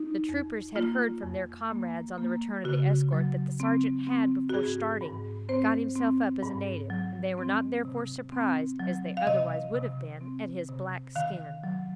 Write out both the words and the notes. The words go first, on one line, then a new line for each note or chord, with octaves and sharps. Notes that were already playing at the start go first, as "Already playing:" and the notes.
The troopers had heard from their comrades, on the return of the escort, that the sergeant had, before starting, got himself up as a native; and they were not therefore surprised, as they otherwise would have been, at his black skin.
Already playing: D#4
F2
A#3 F4
F2
A#3
A#3
C#3 F#4
F#3
C4
C4
F#4
G#2 G#4
G#2
C4 C5
C4
G#2
F#3
C4
C3
C4
F#3
F5
C3 D#5
C3
C4
C3
D#3 F5
F#3